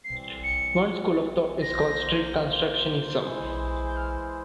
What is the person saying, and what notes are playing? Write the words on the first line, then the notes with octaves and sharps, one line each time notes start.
One school of thought is called strict constructionism.
E3 G3 C4 C7
C#7
A#3 F4 C5 A#6
E3 G#3 E4 G#4 C5
G6
F6